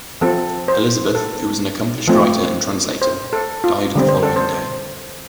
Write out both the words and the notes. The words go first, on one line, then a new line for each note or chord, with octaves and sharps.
Elizabeth, who was an accomplished writer and translator, died the following day.
F3 C4 A4
C5
A4
F3 A3 C4
C5
A4
F4
D3 G3 C4
C5
A4
C5